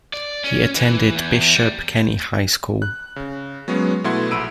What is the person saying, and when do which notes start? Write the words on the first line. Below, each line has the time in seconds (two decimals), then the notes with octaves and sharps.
He attended Bishop Kenny High School.
0.14 D5
0.44 C#4
0.76 E3
1.15 E2
1.55 G3
2.82 F#6
3.16 C#3
3.68 F#3 G#3 B3 C#4 F#4
4.04 B2 A3 E4 F#5 C6 G#6
4.31 A#1 B5 E6 D7 D#7